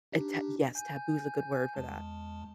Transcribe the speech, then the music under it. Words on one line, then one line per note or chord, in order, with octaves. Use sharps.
Eh, ta Yes, taboo's good word for that,
D4 D#4 G4
G#5 G6
E2 G#3 A5